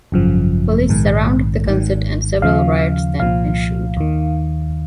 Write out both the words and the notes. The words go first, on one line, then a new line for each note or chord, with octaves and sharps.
Police surrounded the concert and several riots then ensued.
G#1 F#2 C#3 F3
A#1 G#2 D#3
G#1 G#2 D#3
D#2 C#3 F3 F5
C2 A#2 F3 F5
D#2 D#3